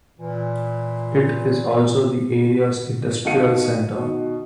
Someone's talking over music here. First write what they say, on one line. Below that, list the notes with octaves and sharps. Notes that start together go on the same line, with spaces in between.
It is also the area's industrial centre.
A#2 E3
B2 D#3 A4 F5 C#7 D#7
B2 D#3